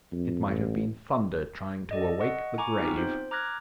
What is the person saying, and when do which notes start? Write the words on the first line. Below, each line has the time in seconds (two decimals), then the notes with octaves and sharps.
It might have been thunder trying to awake the grave.
0.12 F2
0.46 A1
1.91 A4 D5 D#5
2.21 D#5 F#5 C#6
2.58 G#5 A#5 C#6 D6
2.79 B3 C4 D#4 F4 G4
2.97 C5
3.31 A#5 D6 F6 F#6 G#6 A#6